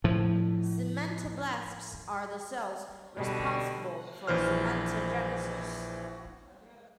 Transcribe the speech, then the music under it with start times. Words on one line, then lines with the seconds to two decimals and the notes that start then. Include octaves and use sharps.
Cementoblasts are the cells responsible for cementogenesis.
0.04 A2 F3
3.17 B2 D3 G3
4.27 A#1 E3 C5 F6